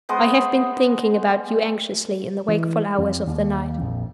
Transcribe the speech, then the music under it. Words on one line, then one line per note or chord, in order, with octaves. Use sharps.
I have been thinking about you anxiously in the wakeful hours of the night.
G#3 B3 C5 D#5
E3
F2
D#2
A#1 F2